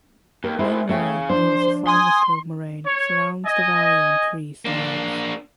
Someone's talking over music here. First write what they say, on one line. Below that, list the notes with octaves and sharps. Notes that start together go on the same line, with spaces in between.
One moraine known as the Farmersville moraine surrounds the valley on three sides.
D#2 A#4
G#2 C4 E4
C#3 A3 G5
F3 D4 C5
G#5 C6 D#6
C#5
D#5 G#5
A#3 D4